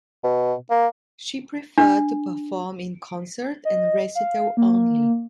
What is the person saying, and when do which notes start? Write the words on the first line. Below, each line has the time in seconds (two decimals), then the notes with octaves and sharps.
She preferred to perform in concert and recital only.
0.24 B2
0.70 A#3
1.78 D4
3.65 D#5
4.15 F5
4.57 A#3